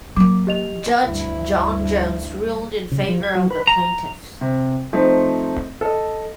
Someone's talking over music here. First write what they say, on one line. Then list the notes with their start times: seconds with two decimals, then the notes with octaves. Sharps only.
Judge John Jones ruled in favor of the plaintiffs.
0.16 F#3 A#3 D6
0.47 G4 D#5 F7
1.05 D2 G2 E4
2.92 C#3
3.09 F3
3.23 G#6
3.35 F#3
3.50 B4
3.67 A#5
4.41 C3
4.93 F3 A3 C4 D#4
5.81 A4 D#5